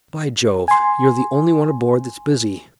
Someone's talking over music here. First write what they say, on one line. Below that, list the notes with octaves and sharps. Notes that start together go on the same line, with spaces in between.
By Jove! you're the only one aboard that's busy.
G#5 C6